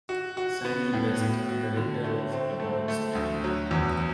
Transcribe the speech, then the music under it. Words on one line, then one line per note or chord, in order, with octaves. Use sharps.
Samuel Best, the Rector of Abbotts Ann.
F#4
F#4
B3
A2
A2
F#4
D3
A3
C4
A3
A3
D2
F#3
E2